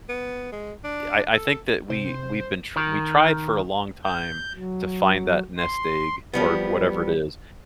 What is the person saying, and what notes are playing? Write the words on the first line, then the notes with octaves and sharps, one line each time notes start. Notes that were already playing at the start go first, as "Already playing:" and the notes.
I I think that we we've been tr we tried for a long time to find that nest egg, or whatever it is.
B3
G#3
D4
A4
C3 C5
D#3
G6
F#3
C6
F3 G3 B3